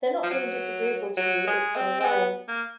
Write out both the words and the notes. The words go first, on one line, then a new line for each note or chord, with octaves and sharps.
They’re not being disagreeable to you — it’s their way.
F3
F#3
F#3
G#3
C4
C4
B3
A#3